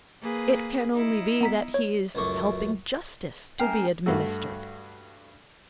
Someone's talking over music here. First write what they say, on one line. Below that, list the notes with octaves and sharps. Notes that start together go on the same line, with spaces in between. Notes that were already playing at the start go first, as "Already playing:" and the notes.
It can only be that he is helping Justice to be administered.
A#3 G#4 B4
D#4 E4
B3 A#5 B6
C#5
C#2 F#2 A3 C#6 D6
A3 C#4 A#4 G5 G#5 A#5 F6 C7
G2 A3 F#4 A4